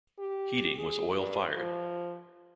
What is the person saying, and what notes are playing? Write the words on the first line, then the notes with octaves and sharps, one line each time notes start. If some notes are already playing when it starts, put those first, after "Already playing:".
Heating was oil fired.
G4
G#4
G2
F3